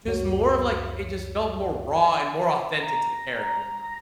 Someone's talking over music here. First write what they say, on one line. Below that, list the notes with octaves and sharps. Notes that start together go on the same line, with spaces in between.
just more of, like l it just felt more raw and more authentic to the character, in my opinion.
C#2 F#2 F#4 C#5
A#5